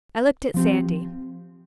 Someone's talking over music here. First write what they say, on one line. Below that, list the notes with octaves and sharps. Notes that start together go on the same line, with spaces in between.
I looked at Sandy.
F3 C4 G4